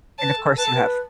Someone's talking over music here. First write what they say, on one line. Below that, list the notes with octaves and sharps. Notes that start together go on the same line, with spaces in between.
and, of course, you have
B4 C#5 A5
A4
B4 A5
A4
B4